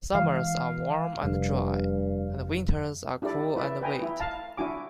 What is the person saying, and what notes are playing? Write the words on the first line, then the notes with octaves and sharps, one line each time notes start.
Summers are warm and dry, and winters are cool and wet.
E3 G#3 F5
F1 G2
D4 E4 G4 A4 D5
E4 B4 D5 E5
B4 G5 G#5 A#5
E4
F5 A5 A#5
D4 E4 F#4 G#5 D6